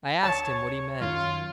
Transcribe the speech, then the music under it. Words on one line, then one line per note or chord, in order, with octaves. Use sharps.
I asked him what he meant.
D2 C#5 A5
F#2 D#3 F#3 F4